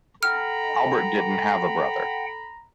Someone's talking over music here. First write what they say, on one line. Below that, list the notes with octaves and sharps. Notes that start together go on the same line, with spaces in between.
Albert didn't have a brother.
A4 F#5 G5 A#5 B5 F6